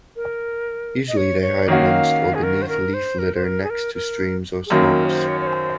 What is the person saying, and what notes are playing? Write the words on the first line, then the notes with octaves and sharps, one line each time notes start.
Usually they hide amongst or beneath leaf litter next to streams or swamps.
A#4
D#5
C#5
C#5
D#3 A#3 C#4 F#4 F5
G#4
A#4
C5
A#4
C5
A#4
C5
A#4
G#4
A#4
A#4
G#4
F#2 D#3 F#3 A#3 A#4
A#4
C#5
C5
C#5
C#5
C5